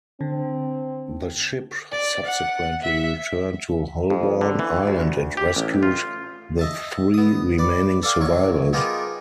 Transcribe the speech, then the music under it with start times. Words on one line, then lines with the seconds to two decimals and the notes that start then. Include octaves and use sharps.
The ship subsequently returned to Holbourne Island and rescued the three remaining survivors.
0.21 D3 C4
1.92 D5
2.25 F#5
2.82 E5
4.10 F2
4.41 D3
4.59 E3
4.87 D2
5.37 G4
5.56 A1
5.83 F4
6.59 D#5 E5 A5
7.14 B3 D#6
7.58 B4 D5
8.03 A4 D5 F5 G5
8.21 C2 F#3 C#6
8.73 B3 D#4 F4 G4 G#4 A#4